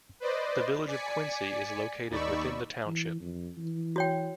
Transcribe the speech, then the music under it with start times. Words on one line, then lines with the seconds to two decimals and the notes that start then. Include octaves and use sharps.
The village of Quincy is located within the township.
0.20 B4 C5 D5 D#5
0.87 D5 G#5 B6 C#7
2.10 D#2 D#4 D5 B5 C#6 E6
2.86 E3
3.21 F2
3.58 E3
3.96 F#4 C#5 G5